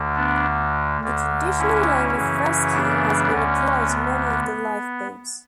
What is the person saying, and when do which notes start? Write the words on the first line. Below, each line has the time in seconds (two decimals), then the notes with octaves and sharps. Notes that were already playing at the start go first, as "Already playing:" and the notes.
The traditional name of "Rescue" has been applied to many of the life boats.
Already playing: D2 D3
0.16 B3 D4
1.01 D2 D3
1.58 C#4 E4
2.16 F#2 C#3 E3
2.73 B3 D4
3.30 D2 D3 C#4
3.87 B3